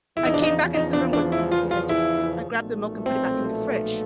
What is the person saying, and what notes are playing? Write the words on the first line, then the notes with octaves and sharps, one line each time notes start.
I came back into the room, goes, "Oh, what did I just do?" I grabbed the milk and put it back in the fridge.
E2 C#3 F3 E4
D#4
D4
D#4
D#4
D4
D4
E4
F4
F4
E4
B1 A#2 F3 A3
C4